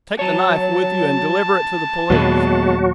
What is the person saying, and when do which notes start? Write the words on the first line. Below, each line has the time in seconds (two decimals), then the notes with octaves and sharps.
"Take the knife with you, and deliver it to the police."
0.19 F#3 C#5 A5
2.10 D#2 A#2 F#3 G#3 B3 F#4 G#4